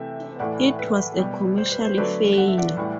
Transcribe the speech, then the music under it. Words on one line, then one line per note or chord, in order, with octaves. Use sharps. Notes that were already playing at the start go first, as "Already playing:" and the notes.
It was a commercial failure.
Already playing: C3 E3 A3 E5 G5
A2 E3 A3 D5 F#5
B4
B2 G3
C5
B4
C5
D3 F#3 A3 B4 D5
F#5
E5
D5 F#5
A2 E3 G3